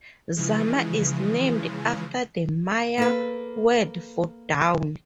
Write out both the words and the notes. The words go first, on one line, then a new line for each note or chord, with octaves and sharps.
Zama is named after the Maya word for "dawn".
C#3 E3 F3 G#3
A#3 A4 B4